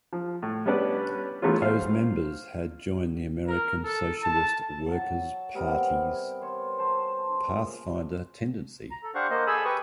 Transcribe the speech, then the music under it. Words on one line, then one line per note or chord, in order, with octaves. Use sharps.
Those members had joined the American Socialist Workers Party's Pathfinder tendency.
F3
A2
G3 B3 C#4 D4 B4 D5
E3 F#3 A3 B3 C#4 F4
C5 F5
A#4
A4
A5
F#3
C3 G3 B3 A#4
C5 C#5
C5 A5 C6
A#2 C#3
A#5
A4
D4 G4 C5 F5 F#5 C#6
A#3 C5 D#5
G#4 A4 G#5 B5 D#6 E6
G4 B4 C#6 D#6